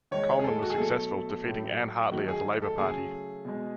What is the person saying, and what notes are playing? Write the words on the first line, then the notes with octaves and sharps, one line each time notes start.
Coleman was successful, defeating Ann Hartley of the Labour Party.
D#3 G#3 C#5
G#4
A4
F#4
G#4
B2 F#3 A3 A4
A2 F#3 A3
D#3 F#3 A3 F#4
G#4
A4
C#3 F#3 A3 G#4
B2 G#3